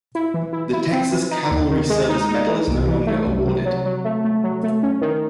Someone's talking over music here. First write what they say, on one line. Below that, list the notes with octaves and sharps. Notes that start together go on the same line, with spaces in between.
The Texas Cavalry Service Medal is no longer awarded.
E4
E3
E4
E4
C4
E3
D#4
D#2
D#3
G#3
D#4
D#4
E3
C2
E3
A3
C2
C3
F#3
F#3
A3
A3
F#3
A3
C#4
D#3